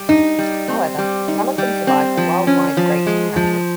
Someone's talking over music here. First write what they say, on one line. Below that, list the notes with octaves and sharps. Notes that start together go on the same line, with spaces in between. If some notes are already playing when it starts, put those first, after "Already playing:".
However, none of them survived the worldwide Great Depression.
Already playing: G3
D#4
G3
C4
G3
D#4
G3
C4
F3
C#4
F3
G#3
F3